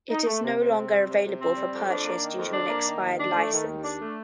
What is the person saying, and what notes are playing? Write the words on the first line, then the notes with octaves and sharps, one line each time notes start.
It is no longer available for purchase due to an expired license.
D#4
A3
C3
C3
C4
G3
C3
C3
C4
G3
F2
D4
A#3
D#3
F2
D4
A#3
D#3
D#2
D4
A3
D#3
D#2
D4
A3